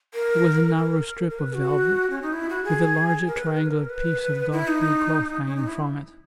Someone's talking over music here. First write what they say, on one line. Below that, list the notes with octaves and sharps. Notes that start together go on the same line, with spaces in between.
It was a narrow strip of velvet with a larger triangular piece of dark blue cloth hanging from it.
A#4
A#4
A#4
B4
F#4
C#4
D#4
E4
F#4
G#4
A#4
B4
A#4
B4
A#4
B4
E4
D#4
C#4
D#4
E4